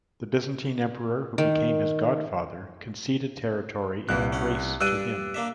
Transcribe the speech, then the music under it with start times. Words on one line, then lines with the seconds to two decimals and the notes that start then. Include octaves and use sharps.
The Byzantine Emperor who became his godfather conceded territory in Thrace to him.
1.38 D#3
4.09 C2 A#2 E3 F#6
4.33 C#4 F#5
4.81 G2 D4 D5 E6 F#6 D#7
5.34 A#3 D4 E5